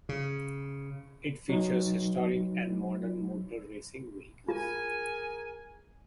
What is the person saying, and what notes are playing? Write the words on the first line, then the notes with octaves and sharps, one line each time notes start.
It features historic and modern motor-racing vehicles.
C#3
F#3 D#4
F4 G#4 A#4 G#5